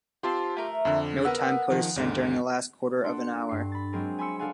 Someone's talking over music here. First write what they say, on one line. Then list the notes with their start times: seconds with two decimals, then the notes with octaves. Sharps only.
No time code is sent during the last quarter of an hour.
0.23 C4 F4 G4 A5 C6
0.57 A3 A#4
0.85 F2 D3
1.25 B3 A#4 B4 F#5 E6
1.70 D#3 F3
1.96 D#2 G#2 D3
3.04 D4 A4 F#5 C6
3.49 G2 C7
3.72 B5 A6
3.93 F#3 G#3 C4 G#4 A#4
4.19 G#5 B5 C6 E6 C#7
4.39 D4 A4 F5 F#5 G#5